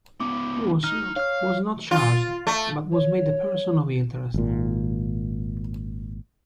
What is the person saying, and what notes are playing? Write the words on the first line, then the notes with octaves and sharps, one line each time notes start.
Wasser was not charged but was made a person of interest.
C#2 B3 D6
D#4 F6
C#5 F5 F6
F4
A3
C#5
G#1 A#2